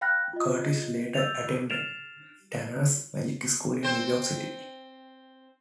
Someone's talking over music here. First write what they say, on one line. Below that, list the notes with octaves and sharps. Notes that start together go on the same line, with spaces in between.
Curtis later attended Tannen's Magic School in New York City.
F5 G5 B5 F6 F#6 A#6
F4 D#5
E6 G6 A6 F7
F6 A6 C7 D7 E7 F7
C4 C5